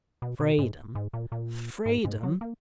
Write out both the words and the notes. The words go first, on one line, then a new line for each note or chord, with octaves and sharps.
Freedom, freedom!
B2
B2
G#2
G#2
A#2
A#2
G#2
G#2
F#3
A#3